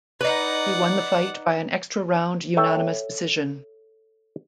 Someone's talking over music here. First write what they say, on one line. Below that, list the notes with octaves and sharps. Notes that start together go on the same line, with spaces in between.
He won the fight by an extra round unanimous decision.
D#4 B4 D5 F#5
A4 C#5 E5 G5 A5